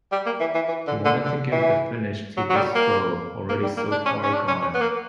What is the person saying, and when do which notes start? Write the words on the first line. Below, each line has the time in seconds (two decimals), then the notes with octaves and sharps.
He wanted to give the finish to this foe already so far gone.
0.12 G3
0.26 A#3
0.40 E3
0.54 E3
0.68 E3
0.87 D3
1.05 D3
1.25 D3
1.52 E3
2.37 F#3
2.49 F#3
2.56 G3
2.75 A#3
3.49 A#3
3.63 G3
3.77 A#3
3.91 D4
4.06 C#4
4.23 C#4
4.34 D4
4.48 C#4
4.62 C#4
4.74 B3
4.81 A#3